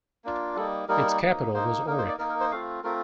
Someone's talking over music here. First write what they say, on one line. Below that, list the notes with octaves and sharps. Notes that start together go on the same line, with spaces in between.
Its capital was Aurich.
A#3 D4 F4
G3 A#3 D#4 A4
G3 A#3 D#4 A#4
A#3 D#4
A#3 D#4 C5
A#3 D#4 A#4
C5
D5
A#3 D#4 A#4
A#4
C5
A3 C4 F4 F5
A3 C4 F4 A#4